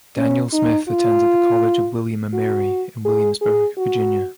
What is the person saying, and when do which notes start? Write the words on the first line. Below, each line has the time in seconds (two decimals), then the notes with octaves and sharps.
Daniel Smith attended the College of William and Mary in Williamsburg, Virginia.
0.17 C#4
0.53 D#4
0.89 F4
2.33 F#4
3.05 G#4
3.42 G#4
3.78 F#4